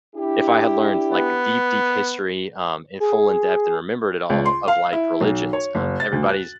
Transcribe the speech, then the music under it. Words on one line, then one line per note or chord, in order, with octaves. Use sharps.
if I had learned, like, deep, deep history, um, in full in-depth, and remembered it all, of, like, religions, um, everybody's
D4 E4 G4
B3
G#4
C#2
C6
F5
E4
B1
C#5
F#1
A6
D2
F#6